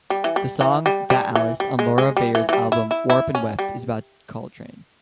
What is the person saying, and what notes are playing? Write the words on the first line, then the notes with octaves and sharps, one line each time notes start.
The song "That Alice" on Laura Veirs' album "Warp and Weft" is about Coltrane.
G3
E3
G3
E3
G3
G3
E3
G3
G#3
G#3
G3
E3
E3
G3
E4
E4
E4
C#4
G3